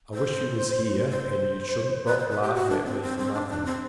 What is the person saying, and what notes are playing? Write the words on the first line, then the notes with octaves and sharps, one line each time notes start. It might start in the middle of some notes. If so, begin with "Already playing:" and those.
I wish you was here, and you should not laugh at me for nothing.
C5
C5
B4
C5
B4
G4
F#4
D4
C4
C4
C4
D4
D4
C4